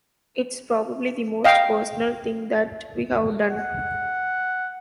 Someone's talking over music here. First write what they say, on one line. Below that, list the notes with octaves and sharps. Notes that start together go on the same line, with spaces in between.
It's probably the most personal thing that we've done.
D#5 F5 G5
F#5